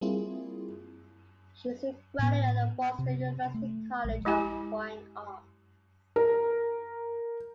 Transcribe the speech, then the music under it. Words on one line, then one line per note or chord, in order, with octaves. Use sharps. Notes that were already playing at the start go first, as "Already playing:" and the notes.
She is a graduate of Boston University College of Fine Arts.
G3 A#3 C4 E4 F4 G#4
A2 B3
C3
A3
A#1 G#3
G#3 E4 G4 G#5
A#4